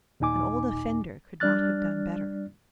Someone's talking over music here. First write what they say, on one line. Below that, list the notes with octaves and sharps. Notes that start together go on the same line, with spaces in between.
An old offender could not have done better.
D#2 A#2 D#4 G#5 D6
G3 D4 D5 F6 F#6 A6